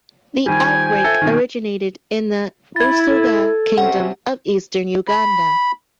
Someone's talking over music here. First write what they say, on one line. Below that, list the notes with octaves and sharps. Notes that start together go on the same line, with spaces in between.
The outbreak originated in the Busoga kingdom in eastern Uganda.
D#3 F3 G3 G5 G#5
A4 E5
B2 D#3
E4 B5 G#6 A6
A4
C3 C#4 F#5
B5